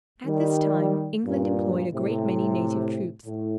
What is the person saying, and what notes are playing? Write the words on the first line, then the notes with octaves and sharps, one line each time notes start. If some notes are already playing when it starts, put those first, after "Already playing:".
At this time England employed a great many native troops.
D#3 G3
G2 A#2
A2 C3
A2